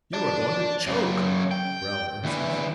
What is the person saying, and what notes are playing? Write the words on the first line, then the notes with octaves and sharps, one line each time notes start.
"You are going to choke!" growled Ursus.
D5 A5
F#2 C#3
G5
D2 E3